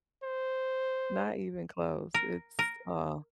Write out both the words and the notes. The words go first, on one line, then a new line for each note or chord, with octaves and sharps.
not even close. It's, uh
C5
A#4
A#4